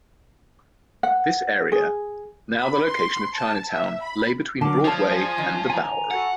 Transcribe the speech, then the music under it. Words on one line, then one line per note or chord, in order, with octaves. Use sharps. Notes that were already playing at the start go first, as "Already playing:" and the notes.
This area, now the location of Chinatown, lay between Broadway and the Bowery.
F#5
G#4
B5
C6
A5
E5
B5
D3 F#3 A#4 A5 D6
F3 G#4 C#5 D5 F5 A5 C6 G#6
G#5 D#6
D#3 C#4
G#5 A#5
F#4 A4 F#5